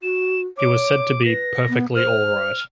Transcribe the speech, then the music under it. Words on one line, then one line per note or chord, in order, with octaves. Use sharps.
He was said to be "perfectly all right".
F#4 E7
C#5 D6
B4 A#6
B3
C5 F6